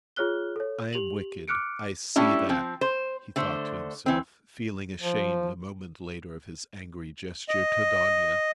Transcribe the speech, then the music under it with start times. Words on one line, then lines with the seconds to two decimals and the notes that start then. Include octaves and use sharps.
"I am wicked, I see that," he thought to himself, feeling ashamed a moment later of his angry gesture to Dounia.
0.16 F4 G#4 C#5 F6 F#6 G7
0.56 A4 C#5
0.93 G4 F7 F#7
1.48 D6 F6 F#6 C#7 D7
2.16 G3 A3 C#4 D4 E4
2.49 F3 C4
2.81 C5
3.36 D3 A3 C5
4.06 E3 C4
5.01 F3
7.48 D#5